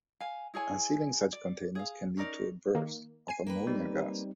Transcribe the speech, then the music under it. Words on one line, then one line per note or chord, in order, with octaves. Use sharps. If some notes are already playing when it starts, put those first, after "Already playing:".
Unsealing such containers can lead to a burst of ammonia gas.
F5 G#5
E4 G#4 C#5 G#5
D5
G#4 F5
C#4 D#4 A#4 D5
D#3 A#3
G#5 C7 D#7
A#3 G4 B4
G3 C4 D#4